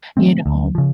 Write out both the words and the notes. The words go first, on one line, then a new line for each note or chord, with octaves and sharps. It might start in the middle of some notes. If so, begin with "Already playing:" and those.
You know?
E3 A3 C4
D2
C#3 F3